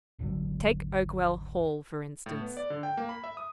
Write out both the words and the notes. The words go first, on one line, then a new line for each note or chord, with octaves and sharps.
Take Oakwell Hall, for instance.
G#1 D#2 D3 F#3
A2
B3
D5
D3
G5
A#3
B5
E5
D#6